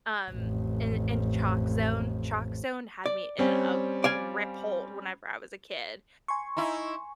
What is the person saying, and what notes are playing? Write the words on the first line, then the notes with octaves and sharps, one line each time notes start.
um, and and Chalkzone, Chalkzone had me in a grip hold whenever I was a kid,
A1 F2
D5
G3 C4 C#4
D5 F5 G#5
G#5 C6 C#6
D#4 E4